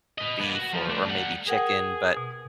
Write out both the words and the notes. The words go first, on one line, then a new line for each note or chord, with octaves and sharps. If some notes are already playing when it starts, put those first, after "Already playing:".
beef or or maybe chicken, but
B4 D#5
A#3 B3
F#4
F3
A3 D4
G3 F#5
G#4 A#4 F#5 G5
B2